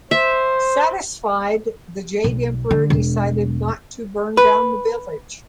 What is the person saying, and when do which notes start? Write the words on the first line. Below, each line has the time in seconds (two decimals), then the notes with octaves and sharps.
Satisfied, the Jade Emperor decided not to burn down the village.
0.11 C5 E5
2.24 B1
2.71 D3
2.90 E1
4.37 B4